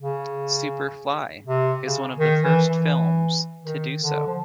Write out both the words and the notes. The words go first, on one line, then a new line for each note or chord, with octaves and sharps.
Super Fly is one of the first films to do so.
C#3
C3
C#3
D#3
E3
E3
D#3
D3
F3